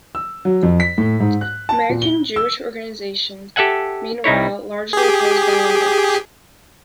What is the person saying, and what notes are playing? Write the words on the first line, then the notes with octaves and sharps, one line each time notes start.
American Jewish organizations, meanwhile, largely opposed the Olympics.
E6
F#3
F2
B6
A2
G#2
F#6
A5
A#2
G7
E6
G4 A4 E5 F#5 G#5
C2 D#4 E4 C#5
G4 G#4